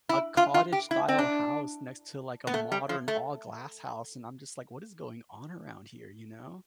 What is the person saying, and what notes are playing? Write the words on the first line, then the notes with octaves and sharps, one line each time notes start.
a cottage style house next to, like, a modern, all glass house, and I'm just, like, "What is going on around here," you know?
E4
F4
F4
G4
E4
C4
D4
B3
A3
G3
F3
A3